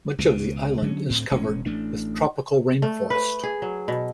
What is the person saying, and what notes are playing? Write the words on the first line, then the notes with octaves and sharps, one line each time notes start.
Much of the island is covered with tropical rain forest.
C#2 B2
D3 F#3 A3 C#4
D2 A2 C4
E1 G#3 C#4
A1 A3 D4
A3
B4
G#4
F#3
B2